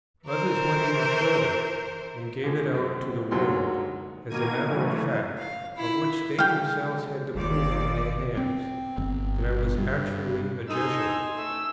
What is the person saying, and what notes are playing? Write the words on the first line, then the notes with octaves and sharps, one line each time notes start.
Others went even further, and gave it out to the world, as a matter of fact, of which they themselves had the proof in their hands, that I was actually a Jesuit.
E3 A#4 C5
D3 F3 G#3 A3
F#2 B3 C4
D2 G#2 F#3 A#3 C6
B2 D#3 A#3 A#4 G#6 D#7
G#2 C#3 E3 F#3 A3
F5
E4
F#3 G#3 F5 G5
G1 D#2 F3 D5
C4
G1
G2
D#4 A4 G#5 C6 E6
A3 E6